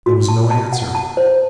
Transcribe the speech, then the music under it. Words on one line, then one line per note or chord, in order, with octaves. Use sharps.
There was no answer.
F#4
A5
A5
F#5
A5
C5